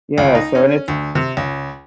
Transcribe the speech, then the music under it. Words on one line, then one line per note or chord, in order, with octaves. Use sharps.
Yeah. So and it's
C#2
D#4
C#4
D2
C3
C#2